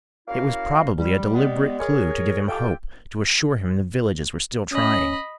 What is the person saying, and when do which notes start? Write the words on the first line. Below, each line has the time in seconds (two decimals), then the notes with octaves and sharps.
It was probably a deliberate clue to give him hope, to assure him the villages were still trying.
0.28 A#3 C#4 E4 F#4 F5
0.97 G3
1.34 G3 G#3 B3
1.80 G#4 A#4 C#5
2.47 F4 G4 A4 G5
4.72 C#4 D#5 B5